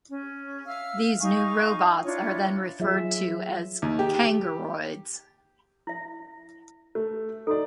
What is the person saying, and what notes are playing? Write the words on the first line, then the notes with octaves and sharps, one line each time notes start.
These new robots are then referred to as 'kangoroids'.
C#4
E5 F5 E6 F6
D#4 F5 G#5 C#6
D4 E4 F4 C#5
F#3 F4 G#4 E5
D#2
G4
E4 E5
A3
D#4 F#4 A4 D5